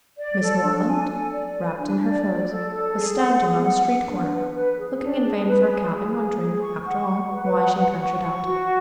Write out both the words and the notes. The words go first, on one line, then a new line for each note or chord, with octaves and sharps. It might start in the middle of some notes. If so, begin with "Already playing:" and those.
Miss Moreland, wrapped in her furs, was standing on a street corner, looking in vain for a cab, and wondering, after all, why she had ventured out.
D5
A4
D4
G#5
A4
D5
G#5
D4
D5
D5
A4
A4
G#4
F#5
G#4
F#5
F#5
D4
B4
B4
G#4
D4
G#4
B4
G#4
G#4
G#4
G#4
C#6
F#5
F#5
B4
F#5
F#5
C#6
C#6
F#4